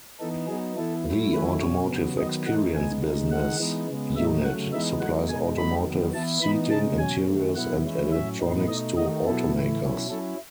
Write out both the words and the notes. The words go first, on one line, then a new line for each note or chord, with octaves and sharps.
The Automotive Experience business unit supplies automotive seating, interiors and electronics to automakers.
E3 B3 D#4 A4
F#3 B3 D#4 G#4
E3 B3 E4 A4
F#3 A3 E4
D#3 F#3 A3 C#4 E4 B4
B2 F#3 C#4 C#5
C#3 F#3 B3
D#3 F#3 B3 D#5
E3 A3 D#4 F#5
C#3 G#3 B3 D#4 G#5
C#3 G#3 D#4
D#3 G#3 D#4 F#5
E3 G#3 B3 D#4
C#3 G#3 B3
A2 F#3 A3 D#4 E5
C#3 F#3 A3 F#5
E3 G#3 B3 D#4 E5
F#3 A3 D#4 F#5
B2 G#3 D#4 G#5
F#3 A3 D#4 B5
D#3 F#3 B3
E3 B3 E4 A5
E3 B3 D#4 B5
C#3 G#3 D#4 A5
B2 F#3 C#4 G#5
D#3 F#3 A3
B2 F#3 B3 E4 F#5
E3 G#3 C#4 E4
A2 F#3 C#4 E5
A2 E3 B3 D#4
B2 A3 D#4 D#5
D#3 A3 D#4 D#5
B2 F#3 B3 E4 A4
A2 E3 A3 E4
B2 F#3 C#4 E4
F#3 C#4 E4 A4